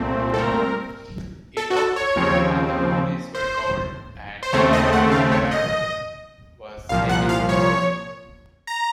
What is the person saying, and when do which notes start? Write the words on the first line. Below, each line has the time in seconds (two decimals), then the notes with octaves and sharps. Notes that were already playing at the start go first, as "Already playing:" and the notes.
A doctor and the police were called and Mrs Farrow was taken to hospital.
Already playing: C2 A#2 A3 C4
0.34 A4
0.38 A#4
1.57 A4
1.70 F#4
1.76 A4
1.96 C#5
2.16 D#2 C#3 F3 C4
3.35 C5
4.43 C5
4.53 D#2 C#3 A3 C4 C#5
4.73 D#5
4.93 F#5
5.12 F5
5.32 C#5
5.51 D#5
6.89 C2 A#2 F3 F5
7.09 F#5
7.29 F5
7.49 C#5
8.67 A#5